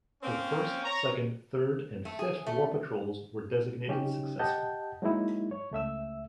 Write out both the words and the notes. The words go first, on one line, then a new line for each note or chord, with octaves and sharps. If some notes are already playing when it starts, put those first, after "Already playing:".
Her first, second, third, and fifth war patrols were designated successful.
A#3 C4 C#4
C#5 A#5
A3
G#4
A3
C#3 F#3 C#4 D#4 G4
G4 D#5 F#5 A5 G6
F#3 G#3 A#3 D#4 E4
C#5
C#2 A3 E5 E6